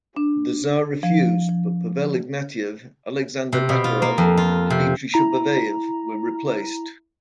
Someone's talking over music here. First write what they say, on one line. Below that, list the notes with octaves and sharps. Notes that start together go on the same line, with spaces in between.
The tsar refused, but Pavel Ignatieff, Alexander Makarov and Dmitry Shuvayev were replaced.
D4
F3
F3
C3
B2
F4
A#3
F2
F4
C3
E4 A#5